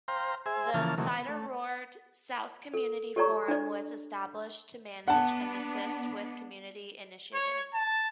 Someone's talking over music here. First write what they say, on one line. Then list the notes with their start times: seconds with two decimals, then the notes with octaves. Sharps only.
The Suideroord South Community Forum was established to manage and assist with community initiatives.
0.08 C5 F5 G5 A#5 C6
0.46 G#4 C5 E5 G#5
0.74 C#3 E3 F3 A#3 A5 F6
0.98 C3 D#3 E3 F#3 A3 A#3
1.11 B3
1.28 A3
2.74 A4
3.16 G4 A4 C#5 D5 A#5 C#6
3.48 D4 D5
5.08 B3 D4 F#5 A5
7.34 C#5
7.74 A5